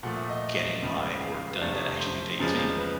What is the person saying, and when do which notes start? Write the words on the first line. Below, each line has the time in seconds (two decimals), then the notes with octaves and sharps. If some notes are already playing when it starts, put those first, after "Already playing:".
getting my work done that actually pays me,
0.03 A#2 F3 A3 F#5
0.16 E5
0.29 D#5
0.82 C#2 C#3 F3
1.21 F5
1.61 F2 C3 F3 A3 D4
2.00 C5
2.39 E2 C#3 F3 G#3
2.78 B4